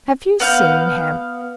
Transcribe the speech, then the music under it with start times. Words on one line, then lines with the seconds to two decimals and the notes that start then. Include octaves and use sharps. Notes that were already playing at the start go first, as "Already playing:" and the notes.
Have you seen him?
0.40 B3 F5 G6